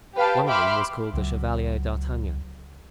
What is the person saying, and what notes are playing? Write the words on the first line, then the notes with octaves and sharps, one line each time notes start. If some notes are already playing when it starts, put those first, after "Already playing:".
"One of them was called the Chevalier d'Artagnan."
G4 B4 F5 G5 A5
E5 G5 B5 C6 D6 F6
C#2 F#3